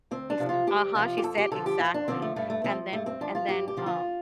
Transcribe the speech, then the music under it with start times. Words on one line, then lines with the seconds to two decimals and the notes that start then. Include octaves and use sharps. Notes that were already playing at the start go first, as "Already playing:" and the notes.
she st Uh-huh, she said Exactly, and then and then, um,
0.11 D2 C4
0.30 D4
0.39 C3 F3
0.49 F4
0.67 D2 G4
0.95 C3 F3 F4
1.18 G4
1.23 F2 A4
1.38 G4
1.51 D3 F3 A4
1.66 G4
1.80 F2 F4
1.94 D4
2.08 D3 F3 C4
2.22 A3
2.36 G2 A3
2.50 A3
2.64 F3 C4
2.92 G2 A3
3.06 C4
3.21 F3 D4
3.35 F4
3.49 G2 G4
3.68 G4
3.77 D3 F3
3.86 F4